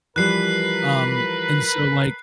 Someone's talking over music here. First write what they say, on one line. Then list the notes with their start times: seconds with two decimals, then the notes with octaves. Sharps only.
Um, and so, like
0.16 E3 F3 G3 A#4 B4 F#6 C7